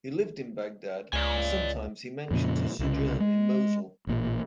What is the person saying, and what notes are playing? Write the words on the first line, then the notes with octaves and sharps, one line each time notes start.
He lived in Baghdad and sometimes he mentions a sojourn in Mosul.
C#2 D5 G#5
F2 A#2 C#3
C2 C#3
G#3
A1 A#2